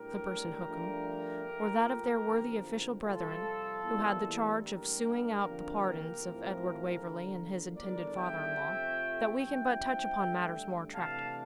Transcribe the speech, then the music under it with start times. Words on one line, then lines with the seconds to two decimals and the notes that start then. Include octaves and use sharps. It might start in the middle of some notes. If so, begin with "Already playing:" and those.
Clippurse and Hookem, or that of their worthy official brethren who had the charge of suing out the pardons of Edward Waverley and his intended father-in-law, that we can but touch upon matters more attractive.
Already playing: A2 G3 D4 G4 A#4
0.65 G2 F3 A3 D4
1.44 A#2 F3 A3
2.23 E2 D3 F3 C4
3.02 F2 C3 G3 F4 A4
3.82 E2 E3 G3 A#3
4.60 A2 G3 D4 G4 A#4
5.39 F2 D3 F3 A#3 D4
6.19 A2 F3 C4
6.99 D3 F3 A#3
7.77 E2 D3 G3 D4 A#4 D5
8.16 E5 G5
8.56 F2 C3 F3 A3
9.35 G2 F3 C4 E5 G5
10.15 G2 D3 A3
10.93 C3 E3 A3 D4 F5 A5